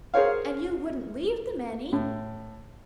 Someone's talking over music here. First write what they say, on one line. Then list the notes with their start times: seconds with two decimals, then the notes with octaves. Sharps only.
And you wouldn't leave them any?
0.14 G#4 A#4 C5 C#5 F5
1.93 A2